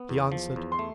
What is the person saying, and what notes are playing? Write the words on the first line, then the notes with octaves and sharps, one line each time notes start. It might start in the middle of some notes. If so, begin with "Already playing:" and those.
He answered.
Already playing: B3
E2
F3
E2
C6
A3